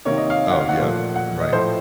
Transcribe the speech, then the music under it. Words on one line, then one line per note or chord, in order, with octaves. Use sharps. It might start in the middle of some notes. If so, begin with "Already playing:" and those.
Oh, yeah. Right.
C3 D#3 A#3 C#5
D#5
F5
F#5
F5
F#5
A#2 F3 A3
F#5
D#5
A2 F3 A3 C5